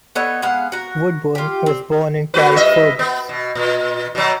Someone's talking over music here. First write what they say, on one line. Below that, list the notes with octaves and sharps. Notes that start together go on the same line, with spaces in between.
Woodburne was born in Carrickfergus.
B3 A4 C#5 D#5
G#3 B3 F5 F#5
F#4 A#4
F4 G4
C4
A3 F#4 B4
G2 D#5 E5
B3
B2
A#2
B2 F#3